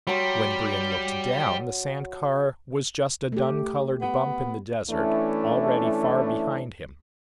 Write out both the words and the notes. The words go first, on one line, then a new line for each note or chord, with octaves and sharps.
When Brion looked down, the sand car was just a dun-colored bump in the desert, already far behind him.
F#3 G3 C6
A3 G4
B3
E3 A3 C#4 D4 E4